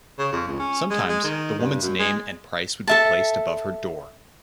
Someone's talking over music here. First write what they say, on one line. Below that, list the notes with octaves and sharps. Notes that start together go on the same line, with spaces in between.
Sometimes the woman's name and price would be placed above her door.
C#3
F2
C#2
C#4
G#3
G#3
D#3
G2
F#2
G#3
A4 E5 A5